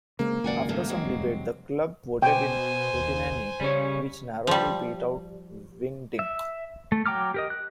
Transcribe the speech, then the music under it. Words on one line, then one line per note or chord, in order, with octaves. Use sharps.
After some debate the club voted in "hootenanny", which narrowly beat out "wingding".
C#3 G#3 A#3 C4
G#1 C#2 F#2 D5 F#5 G#5
G2 C#3 A3
F#3 G#3 C4
F1 G3
B2 C5 G5 G#5
D#2
C#3 G3 C#4 C#5
F3 G3
E5
A3
F#3 G5 A#5 D6 F6
G4 A#4 D#5
F#6